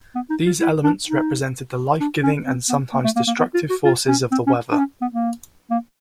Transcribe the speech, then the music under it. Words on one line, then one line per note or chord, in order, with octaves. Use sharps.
These elements represented the life-giving and sometimes destructive forces of the weather.
B3
D#4
F4
E4
D4
D#4
D4
C#4
C4
B3
A#3
A3
A#3
A#3
B3
F4
F#4
F4
C#4
C4
C#4
D4
C#4
B3
A#3
A#3